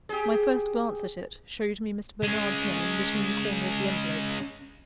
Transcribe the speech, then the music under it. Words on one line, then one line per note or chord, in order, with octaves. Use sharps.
My first glance at it, showed me Mr. Bernard's name written in the corner of the envelope.
G4 G#4
G#3 C#4